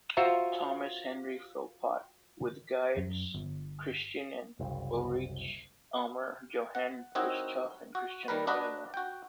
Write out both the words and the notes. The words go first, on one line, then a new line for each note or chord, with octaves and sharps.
Thomas Henry Philpot, with guides Christian and Ulrich Almer, Johann Bischof, and Christian Lauener.
F4 F#4 C5 E5 A#5
F#2
G1
F#1 C2
F#5
C4 D#4 E4 F#4 A#4 C#5
F#4
D#3 G3 A#4 B4
D4 F#4 B4 D#5 A#5
F#4 G5